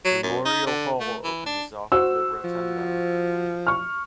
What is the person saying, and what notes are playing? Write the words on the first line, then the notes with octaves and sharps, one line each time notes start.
Memorial Hall opens off the Rotunda.
F#3
F#2
D#4
D3
A3
E3
D4
F#4 C5 E6
F3
C#6 F6